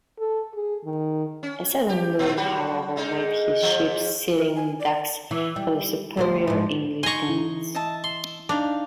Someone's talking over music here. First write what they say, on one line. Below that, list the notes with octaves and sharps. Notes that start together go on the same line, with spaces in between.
A sudden lull however made his ships sitting ducks for the superior English guns.
A4
G#4
D#3
C#4
G4
A#2
F#3 G3 F#4
G#2 G#3 D#4
G#2 F3
A#4
G#5
D5
E3
G3
D2 G3 C5
G#2 F3
D#4 G#5 A#5 C6 C#6
E3
D#5 E5 A5
C6
D4 D#4 F5